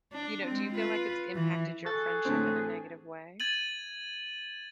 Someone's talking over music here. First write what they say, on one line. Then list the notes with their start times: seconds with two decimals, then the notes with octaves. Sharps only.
you know, do you feel like it's impacted your friendship in a negative way?
0.13 D4
0.45 G#3 C4
0.74 F4 B4
1.34 E3
1.86 F#4 G#4 A4 A6
2.25 A2 D3 C4
3.40 G#6 A6 D#7 F#7